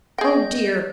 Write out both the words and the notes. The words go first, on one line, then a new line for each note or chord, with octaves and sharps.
Oh dear!
G#4 D#5 G5 G6